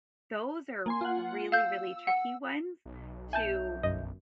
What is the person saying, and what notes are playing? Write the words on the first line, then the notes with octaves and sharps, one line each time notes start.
those are really, really tricky ones to
A#3 G#5 C6
F4 F#5
F5 E6 G6
F#5
B1
E5 G#5 A5 G6
G1 F#2 D#5